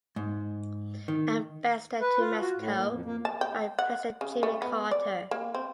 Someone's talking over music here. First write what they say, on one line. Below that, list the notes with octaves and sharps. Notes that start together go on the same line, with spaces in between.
Ambassador to Mexico by President Jimmy Carter.
G#2
D#3
B4
F4
F#4
A2
A#3
F2
A#3
A5
G5
F#5
C#3
A3
B3
D5
A#3
C4